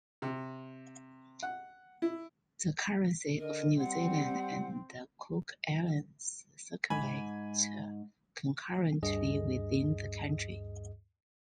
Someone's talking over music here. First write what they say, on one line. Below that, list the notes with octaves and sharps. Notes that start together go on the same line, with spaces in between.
The currency of New Zealand and the Cook Islands circulate concurrently within the country.
C3
F#5
E4
D3 A#4 D#5
G3 C4 F#5
G#2 G#5 B5
D2 G2 G#4 D#5